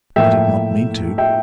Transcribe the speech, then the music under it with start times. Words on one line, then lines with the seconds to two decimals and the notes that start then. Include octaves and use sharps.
I did not mean to.
0.16 A2 F3 A#3 E5 G5
1.18 E5 G5